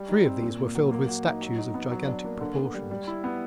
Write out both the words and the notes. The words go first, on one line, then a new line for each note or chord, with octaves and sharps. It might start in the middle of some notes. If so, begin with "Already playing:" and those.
Three of these were filled with statues of gigantic proportions.
Already playing: G3
D#4
C4
A#2
A#3
F#3
A#3
F#4
D#4
F#3
D#4
B3
F#3
D4
A#3
D3
B3
G3
G3
E4
B3